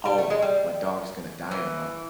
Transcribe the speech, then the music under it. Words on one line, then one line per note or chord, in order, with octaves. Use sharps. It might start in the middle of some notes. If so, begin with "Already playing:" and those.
"Oh, my dog is gonna die in a month."
G3
A3
G#3
G3
E3